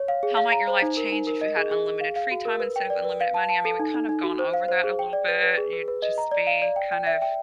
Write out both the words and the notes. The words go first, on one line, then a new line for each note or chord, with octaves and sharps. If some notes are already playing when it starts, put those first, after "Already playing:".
How might your life change if you had unlimited free time instead of unlimited money? I mean, we've kind of gone over that a little bit. You'd just be kind of
Already playing: C#5
F5
G#4
F5
A#5
C5
D#4
A#4
D#4
A#4
D#5
G#4
G#4
G#4
F5
F5
F#4
A#4
B4
G5
D5
B4
F5
A5
A5
A4
D#4
D#4
D#4
F#4
C5
F5
C5
G#4
G5
D5
B4
B4
G#4
B4
B4
D#5
A#5
D5
F5
D5
G5
G5
E5
G5